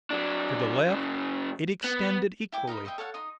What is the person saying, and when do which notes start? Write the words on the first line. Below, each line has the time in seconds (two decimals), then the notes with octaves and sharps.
To the left, it extended equally.
0.11 F#3 D4
0.86 F#2 C#3
1.84 B3
2.52 E4 G5 D6
2.67 D#4 A#4 D#5 B5
2.85 C5 D#5 E5 G5
2.98 A4 C#5 F5 F#5
3.14 D#4 C6 D#6